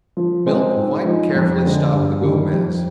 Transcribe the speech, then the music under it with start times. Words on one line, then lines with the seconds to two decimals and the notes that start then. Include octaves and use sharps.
Milt quite carefully stopped the Gomez.
0.17 F3
0.46 G#3 C4
0.76 G#2
1.04 F3 G#3 D#4
1.35 F2
1.64 D3 G#3
1.93 G2
2.22 D#3 G3
2.52 F2